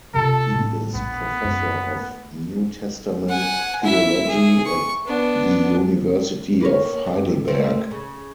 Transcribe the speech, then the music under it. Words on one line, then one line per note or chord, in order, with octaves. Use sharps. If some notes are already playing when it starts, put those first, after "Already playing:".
He is Professor of New Testament Theology at the University of Heidelberg.
C3 F4 A4
A2 G3
A#1 B3
F#2
A3
F#5 G#5
E4 E5
G#4
C#6
B3 D4
A#3 B4 C#5
G2
A3 A#3 C4
C#3